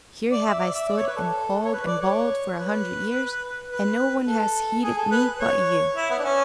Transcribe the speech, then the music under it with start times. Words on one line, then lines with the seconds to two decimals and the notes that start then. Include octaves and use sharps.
Here have I stood and called and bawled for a hundred years, and no one has heeded me but you.
0.32 D5
0.46 E5
0.60 D5
0.74 E5
0.89 D5
0.97 C#5
1.07 B4
1.16 A4
1.65 C#5
1.73 B4
1.87 D5
2.01 C#5
2.58 B4
3.70 B4
4.27 A4
4.83 G#4
4.98 A4
5.11 B4
5.40 C#5
5.96 E4
6.10 B3
6.19 D4
6.24 C#4